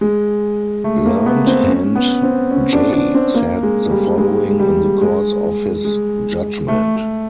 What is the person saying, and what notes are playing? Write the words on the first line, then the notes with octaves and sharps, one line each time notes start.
Learned Hand J said the following in the course of his judgment.
G#3
A3
A#3
B3
C4
C#4
B3
C4
C#4
D4
D4
C4
A#3
G#3
G3
G#3
G3
G#3
G#3
A3
A3